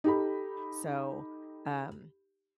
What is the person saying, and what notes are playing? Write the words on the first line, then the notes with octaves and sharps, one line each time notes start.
So, um,
D#4 G4 A4 B5